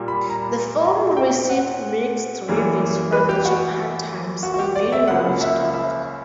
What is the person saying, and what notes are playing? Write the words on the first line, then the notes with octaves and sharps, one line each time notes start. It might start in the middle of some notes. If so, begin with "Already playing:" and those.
The film received mixed reviews from "The Japan Times" and "Video Watchdog".
Already playing: A#2 G3 A#3
B5
A#5
A#5
G5
F#5
F#2 E3 G3 A#3
B4
G4
F#4
F#4
F#4
G4
D5
E5
C#2 C#3 F#3 A#3 F#5
E5
E5